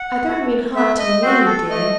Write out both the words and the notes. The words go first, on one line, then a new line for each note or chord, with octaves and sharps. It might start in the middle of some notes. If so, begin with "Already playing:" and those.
I don't mean hard to me, dear.
Already playing: F#5
F#4 A4
A3 E5
D#5
C4 F#4 C5
A4
A3 D#5